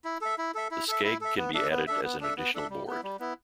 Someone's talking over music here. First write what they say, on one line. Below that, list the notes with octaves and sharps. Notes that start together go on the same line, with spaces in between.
The skeg can be added as an additional board.
E4
A4 E5
E4
A4 E5
E4
A4 E5
E4
A4 E5
B3
D4 A4 E5
B3
D4 A4 E5
B3
D4 A4 E5
B3
D4 A4 E5
G3
B3 E4
G3
B3 E4